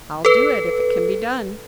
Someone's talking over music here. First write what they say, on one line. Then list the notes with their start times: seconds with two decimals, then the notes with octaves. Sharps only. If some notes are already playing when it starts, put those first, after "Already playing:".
"I'll do it--if it can be done."
0.25 A4 B4